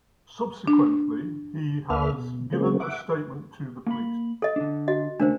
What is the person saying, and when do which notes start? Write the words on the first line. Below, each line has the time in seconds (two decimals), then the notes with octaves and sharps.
Subsequently, he has given a statement to the police.
0.68 D4
1.90 D2 A#3 B4 E5 F6
2.13 B2
2.53 C#3 G#3 A#3 C4
2.80 E5 F#5 D6
3.86 A#3 B5
4.42 A4 D#5
4.56 D3 D4
4.88 F#4 D#5
5.20 D#2 C#3 A3 D4 A#4 C5